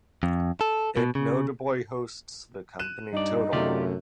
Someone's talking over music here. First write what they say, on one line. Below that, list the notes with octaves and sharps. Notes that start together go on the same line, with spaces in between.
It notably hosts the company Total.
F2
A4
B2
C#3
F#6 D#7 E7
G2 D#4 D5
F#2 C3 A3 F4 G4 D5